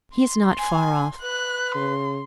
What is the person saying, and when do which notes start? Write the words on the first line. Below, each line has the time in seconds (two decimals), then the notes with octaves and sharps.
He is not far off....
0.17 C6
0.58 G#5
1.22 B4 F#6
1.75 C#3 C6